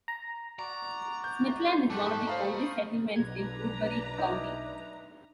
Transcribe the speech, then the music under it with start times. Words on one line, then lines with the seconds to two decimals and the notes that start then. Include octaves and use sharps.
Smithland is one of the oldest settlements in Woodbury County.
0.08 A#5
0.59 F#4 D5 A#5
1.24 G6
1.90 G#2 A3 G4 A5 F#6
2.27 C5 F5 A#5 B5 D#6
3.16 B1 D4 B4 A#5 G#6
4.18 D#4 E4 D5